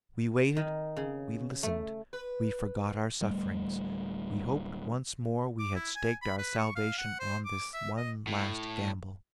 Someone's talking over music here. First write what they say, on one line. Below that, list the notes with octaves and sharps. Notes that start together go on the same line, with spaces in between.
We waited, we listened, we forgot our sufferings, we hoped once more. We had staked our salvation on this one last gamble.
D#3
C#3
A3
B4
D1 G3 A3
D6
E4
G#5
B5
B4
C#6
F5
F#5
C5
D6
E5
D#5
A2